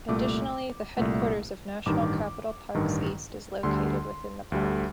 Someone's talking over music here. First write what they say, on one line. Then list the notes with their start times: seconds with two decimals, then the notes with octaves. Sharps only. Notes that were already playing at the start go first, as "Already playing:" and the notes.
Additionally, the headquarters of National Capital Parks-East is located within the park.
0.08 C2 A#2 A3 D6
0.97 C2 A#2 A3
1.86 A1 G2 D#3 D6
2.75 A1 G2 D#3
3.63 D2 D3 G3 C6
4.52 D2 D3 G3